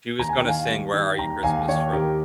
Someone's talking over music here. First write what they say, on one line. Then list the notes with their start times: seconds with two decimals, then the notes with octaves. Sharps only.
She was gonna sing Where Are You Christmas from
0.19 D#2 A#5
0.29 G#5
0.39 G5
0.44 D#3 F5 G#5
0.69 G3
0.93 D#3
1.18 D#2 G5 A#5
1.43 D#2 F5 G#5
1.68 D#3 C#5 F5
1.93 D#2 G4 A#4